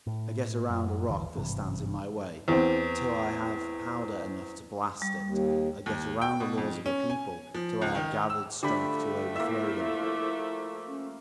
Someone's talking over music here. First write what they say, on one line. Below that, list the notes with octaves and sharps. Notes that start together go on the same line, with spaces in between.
I get around a rock that stands in my way, till I have powder enough to blast it; I get around the laws of a people, till I have gathered strength to overthrow them.
A2
F#2
D#1 G#1 D3 E3
G#1 G2 C3 E3
E2 C4
G3
D#2
D#2
G5
B2
F2
C#4
G#5
F3
C#2
D#3
E6
D3 F3 A3 G4 B5
A#3 E4 E5
C#4